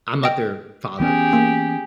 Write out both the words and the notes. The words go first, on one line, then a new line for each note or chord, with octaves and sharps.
I'm not their father,
D#5 G5
E3 B3 C#4 G4 G#4
A#3